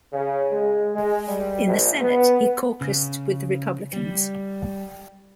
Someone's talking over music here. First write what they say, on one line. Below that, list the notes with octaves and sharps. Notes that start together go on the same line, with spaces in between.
In the Senate, he caucused with the Republicans.
C#3
G#3
G#3
G3
A#1
B3
C#3
G3